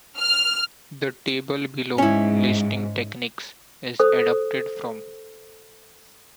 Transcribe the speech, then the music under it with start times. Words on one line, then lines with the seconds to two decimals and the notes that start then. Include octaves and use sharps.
The table below, listing techniques, is adapted from.
0.19 F6
1.98 G#2 C#4 E4
4.00 A4 C5 D#6